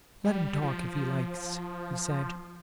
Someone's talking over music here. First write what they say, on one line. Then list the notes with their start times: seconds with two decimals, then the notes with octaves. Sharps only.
"Let him talk if he likes," he said.
0.24 G3
0.62 F3